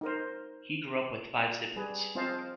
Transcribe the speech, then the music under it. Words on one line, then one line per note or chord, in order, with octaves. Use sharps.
He grew up with five siblings.
D#4 A#4 C5
G3 G#4 B4
C4 F4 C5 D#5 F5 A5